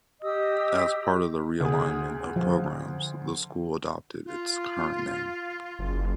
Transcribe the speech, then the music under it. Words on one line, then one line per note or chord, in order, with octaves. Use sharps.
As part of the realignment of programs, the school adopted its current name.
G4 D#5 D#6 E6
D2 G#4
F3
F4
F#1